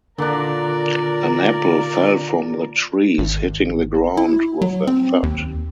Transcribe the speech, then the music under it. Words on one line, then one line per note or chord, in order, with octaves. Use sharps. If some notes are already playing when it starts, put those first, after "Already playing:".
An apple fell from the trees, hitting the ground with a thud.
A#2 D3 D4 A#4 D5
G#1
E4
F#3
C4
D#2